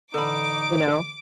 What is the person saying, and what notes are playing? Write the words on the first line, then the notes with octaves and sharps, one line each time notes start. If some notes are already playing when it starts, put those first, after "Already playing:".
You know?
A1 D3 D#4 A4 B5 D6